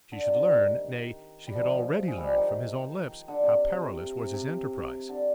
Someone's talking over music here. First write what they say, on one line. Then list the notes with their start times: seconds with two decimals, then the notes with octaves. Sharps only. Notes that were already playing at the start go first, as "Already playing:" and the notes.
She should learn,--nay, she had already learned from his own lips,--how perilous was his enterprise.
0.12 D3
0.27 C3
0.34 D3
0.46 D#3
1.47 G3
1.55 F3
1.62 D#3
1.70 F3
2.08 G#3
2.17 G3
2.27 F3
2.37 D#3
3.28 D3
3.43 C3
3.74 C3
4.18 C3
4.33 C3
5.09 D3